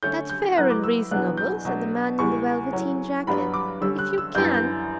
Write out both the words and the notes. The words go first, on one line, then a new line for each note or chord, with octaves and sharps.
"That's fair and reasonable," said the man in the velveteen jacket; "if you can."
D3 A3 C#4 G6
G6
A2 F#3 B3 F#6
D6
E6
E2 B2 F#3 B3 D4 F#6
G6
B2 F#3 A3 D4
E2 C#3 G3 C#6
A2 F#3 C#4
G2 F#3 B3 D4 B5
D6
D3 G3 C#4 E6
F#6
E6
F#2 E3 G3 B3 D4 G6
A6
G6